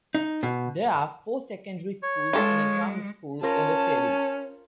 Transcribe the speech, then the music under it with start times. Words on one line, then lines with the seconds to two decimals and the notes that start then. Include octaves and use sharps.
There are four secondary schools and a grammar school in the city.
0.15 D#4
0.43 B2
2.03 C#5
2.33 G#3 F4 A4
3.43 C#4 F4 A#4 C5 A5